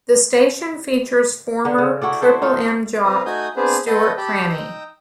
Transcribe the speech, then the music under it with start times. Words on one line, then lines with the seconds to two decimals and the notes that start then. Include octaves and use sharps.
The station features former Triple M jock, Stuart Cranney.
1.65 D3
1.78 C#3
2.02 E4 F#4 A4 D5
2.22 E4 F#4 A4 C5
2.42 D#4 F4 A4
3.04 C4 F4 B4 F5 A#5 D#6
3.26 A3 D#4 F#4 G#5 D#6 G6
3.56 B3 C4 D4 G#4 B4 C5
3.87 A4 B4 D#5 F#5 G6
4.18 G4 G5 A5 B5 E6
4.49 D#4 G5 D#6 E6